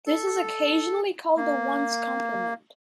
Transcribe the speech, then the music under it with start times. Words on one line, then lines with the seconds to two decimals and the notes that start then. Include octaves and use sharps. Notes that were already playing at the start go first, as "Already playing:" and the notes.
This is occasionally called a ones' complement.
0.07 A4
1.37 A#3